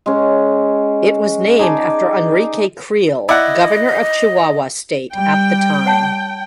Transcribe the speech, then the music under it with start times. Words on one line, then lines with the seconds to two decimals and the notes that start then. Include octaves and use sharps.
It was named after Enrique Creel governor of Chihuahua state at the time.
0.06 G#3 C#4
1.59 D#4 G#4 D5 A5
3.29 E4 D5 D#5 F#5
5.15 G3 G5
5.86 C#5 F#5 A5